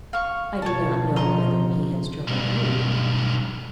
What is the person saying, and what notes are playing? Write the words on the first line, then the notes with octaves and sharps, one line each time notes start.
I do not know whether he has troubled you.
F5 C#6
B2 F3 C#5 A5
D#5 A#5 C6
B1 G2